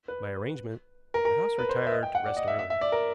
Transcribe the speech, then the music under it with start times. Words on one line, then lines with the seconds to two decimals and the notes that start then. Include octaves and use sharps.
By arrangement, the house retired to rest early.
0.08 B4
1.14 A#4
1.25 A#4
1.58 B4
1.69 C5
1.81 D5
1.86 E5
1.92 D#5
2.03 G5
2.15 F#5
2.26 D5
2.37 D#5
2.48 E5
2.59 E5
2.70 E5
2.81 D5
2.92 A#4